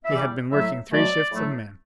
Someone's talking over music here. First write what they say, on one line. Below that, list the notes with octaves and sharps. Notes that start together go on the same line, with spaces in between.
He had been working three shifts of men.
E5
E2 C3 E3 G3 D5
A2 F#3 A3 E5
B2 F#3 A3 D5
A2 F#3 A3